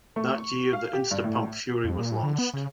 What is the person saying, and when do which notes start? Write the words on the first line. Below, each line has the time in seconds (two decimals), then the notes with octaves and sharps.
That year, the Insta Pump Fury was launched.
0.16 A3
0.38 C#6
0.73 F5
0.93 G4
1.11 G2
1.24 A2
1.84 F2
1.99 A#2
2.12 A2
2.23 D3
2.39 B3
2.54 C#3